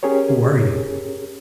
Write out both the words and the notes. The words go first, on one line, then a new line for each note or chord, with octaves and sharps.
"Who are you?"
C#4 G4 G#4 A#4 C#5